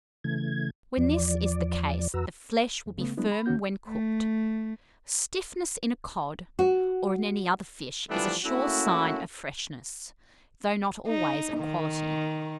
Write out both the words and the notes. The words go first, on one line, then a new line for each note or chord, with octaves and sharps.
When this is the case, the flesh will be firm when cooked. Stiffness in a cod, or in any other fish, is a sure sign of freshness, though not always of quality.
C#3 E3 A3 G#6
E2 F3 D5
F2 F#4 B4 A#5 E6
F2
C#3 A3 B3
F#3 G#3 B3 D4 E4
B5
D#2 D#3 C#4 F#4 G6
A3
F#4
E3 F3 G3 A3 B3 D4
A3 A#3 C#4 E4 F#4
D#4
D#3